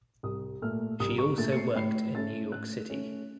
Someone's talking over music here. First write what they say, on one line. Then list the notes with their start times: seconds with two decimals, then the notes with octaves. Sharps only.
She also worked in New York City.
0.23 C2 D#6
0.62 A#2 A3 F6
1.00 C2 D#6
1.18 C#6
1.38 A#2 A3 A6
1.52 C#7
1.56 C7
1.76 A2 C7
2.14 A3 C#4 A6
2.52 A2 F#6
2.90 A3 C#4